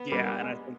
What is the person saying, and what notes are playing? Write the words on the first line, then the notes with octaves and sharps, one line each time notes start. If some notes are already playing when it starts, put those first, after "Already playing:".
Yeah, and I think
Already playing: B3
G3 A#3 D4
G#3